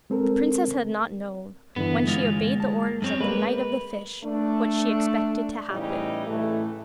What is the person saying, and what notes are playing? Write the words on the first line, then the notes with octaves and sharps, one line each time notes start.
The princess had not known, when she obeyed the orders of the Knight of the Fish, what she expected to happen.
G#3 C4 A4 A#4
G2 D3 E3 B3
G#3 F4 F5
A5
F#2 C4 C#5
G#3 A#3 B4
A3 D4
A2 C#3 E3 G3 D#4 G4
A2 C#3 E3 A3